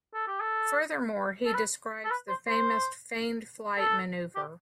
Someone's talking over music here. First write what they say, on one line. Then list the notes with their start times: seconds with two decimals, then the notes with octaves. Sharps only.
Furthermore, he describes the famous 'feigned flight' manoeuvre.
0.14 A4
0.28 G4
0.41 A4
1.46 A4
1.54 B4
2.05 A4
2.11 B4
2.29 C5
2.48 C5
3.79 A4
4.36 G4